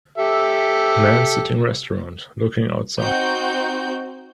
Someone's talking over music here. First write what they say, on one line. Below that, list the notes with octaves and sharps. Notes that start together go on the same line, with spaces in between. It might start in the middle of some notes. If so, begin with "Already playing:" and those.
Man sitting restaurant looking outside.
G4 A4 E5
C4 D#4 F#4 G6